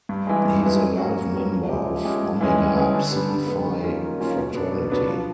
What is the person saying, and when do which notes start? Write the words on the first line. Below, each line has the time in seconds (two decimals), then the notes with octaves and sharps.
He is a life member of Omega Psi Phi fraternity.
0.09 G2
0.27 E3 G#3
0.45 G2
0.62 E3 G#3
0.81 F#3
0.98 A#3 C#4 F#4
1.16 F#3
1.34 A#3 C#4 F#4
1.52 F3
1.69 G#3 C#4 E4 G4
1.87 F3
2.05 G#3 C#4 E4 G4
2.23 G2
2.41 E3 G#3 C#4
2.58 G2
2.76 E3 G#3 C#4
2.94 D3
3.11 G3 B3
3.29 D3
3.47 G3 B3
3.64 D#3
3.83 F#3 A#3 C#4 F4
4.01 D#3
4.18 F#3 A#3 C#4 F4
4.36 B2
4.54 F#3 B3 D4
4.72 B2
4.90 F#3 B3 D4
5.08 F3